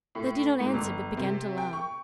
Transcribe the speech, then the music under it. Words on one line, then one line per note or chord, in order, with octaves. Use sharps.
They did not answer but began to laugh.
A2
G#2
G1
C3
G5
C#6